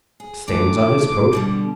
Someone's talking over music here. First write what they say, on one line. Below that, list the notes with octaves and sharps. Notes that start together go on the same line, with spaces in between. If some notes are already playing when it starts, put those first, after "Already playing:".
Stains on his coat.
G#4
D3 E3 A3 D6
B2 D3 G3